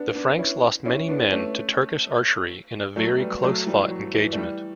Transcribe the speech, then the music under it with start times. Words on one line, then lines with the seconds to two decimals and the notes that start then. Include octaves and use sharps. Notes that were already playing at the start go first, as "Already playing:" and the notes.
The Franks lost many men to Turkish archery in a very close-fought engagement.
Already playing: B3 D4
0.15 B3 D4
0.39 C#4 E4
0.85 C#4 E4
1.08 B3 D4
1.32 A3 C#4
2.96 F#3 A3
3.19 G3 B3
3.43 F#3 A3
3.66 E3 G3
3.90 F#3
4.14 E3
4.33 A3
4.37 E3 G3